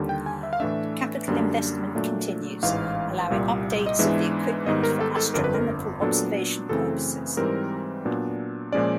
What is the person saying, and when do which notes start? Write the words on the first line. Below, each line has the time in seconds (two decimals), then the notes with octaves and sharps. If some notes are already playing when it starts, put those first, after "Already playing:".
Capital investment continues, allowing updates of the equipment for astronomical observation purposes.
Already playing: D#2 D3 G3
0.09 G5
0.26 G#5
0.43 E5
0.53 F5
0.60 A2 E3 A3 D4 E5
1.28 F#2 D3 G3 A#3 D4
1.95 A#2 F#3 A3 D4
2.63 A1 G#2 E3 F5
3.30 C2 A#2 G3 A#3
3.86 D#5
3.99 G#2 E3 G#3 B3 D4 E5
4.66 G#2 D#3 G3 B3 D#5
4.83 A#4
5.01 A4
5.17 A4
5.34 G1 F2 D3 A#4
5.44 B4
5.54 A#4
6.01 A#2 F#3 B3 D4 A4
6.69 F#2 C#3 E3 A3 C4 A4
7.37 G#2 E3 G3 C4 A#4
8.05 A#2 F#3 B3 D4
8.72 A#2 F3 G#3 C#4 D5